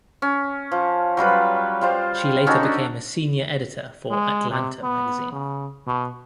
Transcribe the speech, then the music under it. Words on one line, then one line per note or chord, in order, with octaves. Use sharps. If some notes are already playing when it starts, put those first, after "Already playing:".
She later became a senior editor for "Atlanta" magazine.
C#4
F3
F#3 G3 F4 B4
G3 F4 C5
C#4 D#4 F#4 A4
D4
G#3
C3
B3
C#3
B2